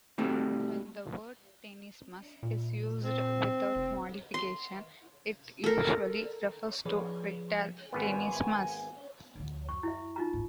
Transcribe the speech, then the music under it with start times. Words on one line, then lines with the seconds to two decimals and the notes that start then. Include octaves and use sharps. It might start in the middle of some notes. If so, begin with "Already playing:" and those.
When the word tenesmus is used without modification, it usually refers to rectal tenesmus.
0.18 G3 A3 C4 D4
2.43 A#2
3.03 C4
3.76 F1
4.34 C6
5.64 A4 A#4
6.85 F3 G#4 B4 C#5 D5
7.93 G#1 B3 G#5
9.35 D2 F3
9.69 F#2 C#6
9.83 E4 E5
10.16 D#4 F4 A#5
10.33 F#1 G#2